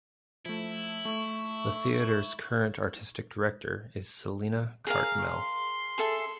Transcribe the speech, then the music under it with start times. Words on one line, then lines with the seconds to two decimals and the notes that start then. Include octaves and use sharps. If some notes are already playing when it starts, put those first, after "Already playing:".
The theatre's current artistic director is Selina Cartmell.
0.45 F3 A3 E4
1.05 A3 C#6
4.87 G#4 A#4 F5
5.21 C6
5.98 G#4 A4 E5